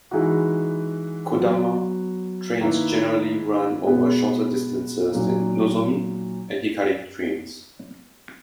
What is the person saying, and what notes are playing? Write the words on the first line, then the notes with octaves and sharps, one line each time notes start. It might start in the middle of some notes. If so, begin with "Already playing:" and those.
"Kodama" trains generally run over shorter distances than "Nozomi" and "Hikari" trains.
E3 G#3 D#4 F#4
F#3 B3 F#4
D#3 A#3 E4 B4
B2 G#3 B3
A#2 F#3 A#3 D#4